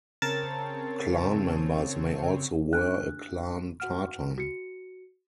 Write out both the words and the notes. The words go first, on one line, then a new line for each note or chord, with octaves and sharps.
Clan members may also wear a clan tartan.
C#3 C4 A#4 C#5 A5 A6
D4 F6 F#6
F#4 F#5 F6
F#4 C#7